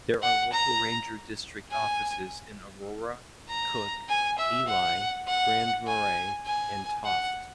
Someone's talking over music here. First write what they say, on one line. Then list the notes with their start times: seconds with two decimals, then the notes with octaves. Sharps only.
There are local ranger district offices in Aurora, Cook, Ely, Grand Marais, and Tofte.
0.22 F#5
0.52 A#5
1.71 G#5
3.49 A#5
4.09 G#5
4.38 E5
4.67 F#5
5.27 F#5
5.87 G#5
6.46 G#5
7.05 F#5